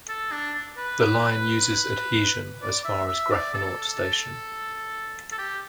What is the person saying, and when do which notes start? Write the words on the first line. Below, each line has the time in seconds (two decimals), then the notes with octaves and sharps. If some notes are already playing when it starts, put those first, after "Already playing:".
The line uses adhesion as far as Grafenort station.
0.09 A4
0.32 D4
0.78 B4
2.62 D5
2.85 E5
3.08 E5
3.31 D5
3.54 A4
5.32 A4
5.38 G4